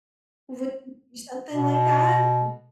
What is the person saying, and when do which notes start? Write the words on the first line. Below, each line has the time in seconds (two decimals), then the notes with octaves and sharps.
Would you do something like that? Mm.
1.52 B2